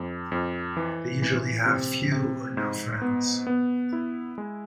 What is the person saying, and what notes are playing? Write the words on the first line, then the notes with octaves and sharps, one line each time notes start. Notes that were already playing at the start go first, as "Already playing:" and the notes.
They usually have few or no friends.
Already playing: F2
F2
E3
E3
C3
C3
G#2
B3
B3
E4
G#3